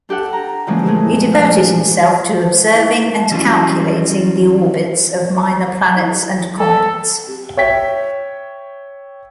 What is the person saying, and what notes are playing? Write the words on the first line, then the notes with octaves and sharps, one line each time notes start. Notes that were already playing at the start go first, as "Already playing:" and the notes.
He devoted himself to observing and calculating the orbits of minor planets and comets.
D4 G4 A4 F#5
A#5
D3 E3 F3 G#3 A#3 C#4
A#2 G#3 A3 G#4
F3 F5 G#5
E3 F#3 G3 C#4 E4 F4
A4
C#5 E5 G5 B6